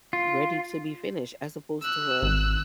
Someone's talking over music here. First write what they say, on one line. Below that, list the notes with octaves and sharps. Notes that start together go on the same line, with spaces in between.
ready to be finished, as opposed to a
F4
E6 F#6
G#1